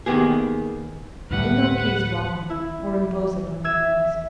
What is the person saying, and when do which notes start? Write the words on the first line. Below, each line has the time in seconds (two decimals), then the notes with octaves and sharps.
In no case wrong him, or impose upon him laws.
0.06 D#3 A#3 B3 G4 G#4
1.30 D2 A2 G3 B4 F#5
2.50 E4
3.64 E5 E6 G#6 E7